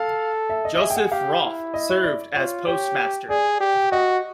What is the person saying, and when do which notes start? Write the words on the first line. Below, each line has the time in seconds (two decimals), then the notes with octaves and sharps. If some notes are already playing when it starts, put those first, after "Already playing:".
Joseph Roff served as postmaster.
Already playing: A4 F5
0.50 E5
0.65 D#5
0.75 D#5
0.79 G#4 E5
0.90 G5
0.96 F#5
1.11 G4 F5
1.43 E4
1.74 D#5
1.90 C#5
2.04 D5
2.35 F4 C#5
2.67 G4 C#5
3.29 G#4 D5
3.60 G4
3.91 F#4 D#5